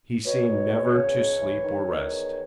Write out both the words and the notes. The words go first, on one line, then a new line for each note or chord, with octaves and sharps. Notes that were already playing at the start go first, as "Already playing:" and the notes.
He seemed never to sleep or rest.
B2 C#5
B2
E2
C#3
C#2
E3
D#3
D#3
E2